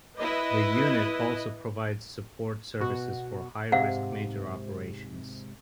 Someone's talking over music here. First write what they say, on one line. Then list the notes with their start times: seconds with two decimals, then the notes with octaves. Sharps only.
The unit also provides support services for high-risk major operations.
0.18 E4 B4 D#5
2.80 B2 F#4
3.72 G#2 C3 F5 F#5